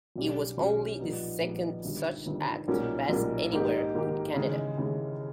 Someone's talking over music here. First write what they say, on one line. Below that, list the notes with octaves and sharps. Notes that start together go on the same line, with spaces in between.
It was only the second such act passed anywhere in Canada.
B1 B2 G3 C#4 G4
B1 B2 G3 C#4 G4
A#1 A#2 G3 B3 D#4
A#1 A#2 G3 B3 D#4
G1 G2 D#3
G1 G2 D#3
B1 A#2 G3 A#3 C#4
B1 A#2 G3 A#3 C#4
G#2 D#3 A#3 D#4 G4
G#2 D#3 A#3 D#4 G4
D#2 C#3 E3 G#3
D#2 C#3 E3 G#3